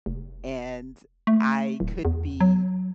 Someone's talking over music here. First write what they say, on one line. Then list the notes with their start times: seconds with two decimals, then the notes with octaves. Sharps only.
and I could be,
0.06 F1
1.27 A3
1.80 D1
2.05 E2
2.40 F#3